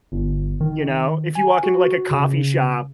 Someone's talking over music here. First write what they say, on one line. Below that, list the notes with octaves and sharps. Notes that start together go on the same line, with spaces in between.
You know? If you walk into, a coffee shop
G1
D#3
G#5
F#4
C#3